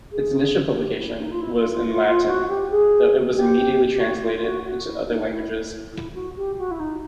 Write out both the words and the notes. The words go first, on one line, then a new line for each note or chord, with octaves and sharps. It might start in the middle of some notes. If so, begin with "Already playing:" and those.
Its initial publication was in Latin, though it was immediately translated into other languages.
G#4
G4
E4
D#4
F4
E4
F4
F4
F4
F4
F#4
G4
G#4
G4
G4
F#4
F4
F4
F#4
F#4
E4
D#4
E4
E4
F#4
G4
F#4
E4
D#4